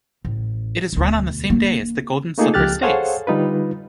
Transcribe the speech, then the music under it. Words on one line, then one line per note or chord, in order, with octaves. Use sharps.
It is run on the same day as the Golden Slipper Stakes.
A1
E1 D2
A#3 D4
A3 A#3 D#4 F4 G#4 A4
C#2 F3 G4 F6 F#6 A6
G#4 A4 C5 C#5 F5 F#5
D3 G3 D#4 F4 B4